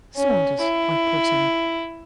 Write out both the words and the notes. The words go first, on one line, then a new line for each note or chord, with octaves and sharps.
"Saunders," I put in.
C#4
E4